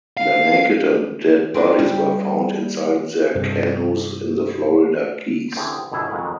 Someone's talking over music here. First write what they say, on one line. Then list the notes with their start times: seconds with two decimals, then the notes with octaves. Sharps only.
Their naked and dead bodies were found inside their canoes in the Florida Keys.
0.17 F5
1.54 C4 D4 D#4
1.79 G3
3.35 G2 C3
5.56 D3 E3 C4 C#4 G4 G#4
5.92 G1 B2 D#3 E4 G#4 A4
6.10 F2 D#3 F#3 G#3 F4 B4